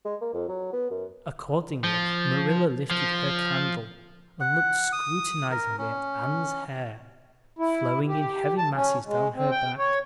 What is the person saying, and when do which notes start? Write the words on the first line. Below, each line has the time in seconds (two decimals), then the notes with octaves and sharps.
Accordingly, Marilla lifted her candle and looked scrutinizingly at Anne's hair, flowing in heavy masses down her back.
0.05 G#3
0.21 A#3
0.34 F2
0.48 F#3
0.73 B3
0.90 F#2
1.84 F3
2.91 F3
4.40 F#5
4.92 D#6
5.51 A#4
5.78 C#4
7.59 E4
8.07 G4
8.58 A5
8.75 C#4
9.06 G#3
9.35 C4
9.51 G5
9.78 C#5